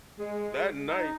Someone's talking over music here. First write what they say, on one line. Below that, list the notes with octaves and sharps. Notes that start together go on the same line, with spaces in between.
that night
G#3
D#4